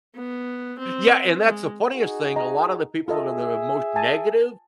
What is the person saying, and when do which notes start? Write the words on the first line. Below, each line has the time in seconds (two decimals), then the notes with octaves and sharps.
Yeah, and that's the funniest thing, a lot of the people that are the most negative,
0.15 B3
0.79 C4
1.44 G#3
1.95 D#4 F#4 G#4
2.36 D#5 A#5
3.08 F4 G#4 A4 D#5 E5
3.96 G#5 A5